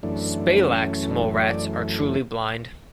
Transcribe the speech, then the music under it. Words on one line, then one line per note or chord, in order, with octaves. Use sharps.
"Spalax" mole rats are truly blind.
F#2 E3 A3 D4
C#4
D4
C#5
D5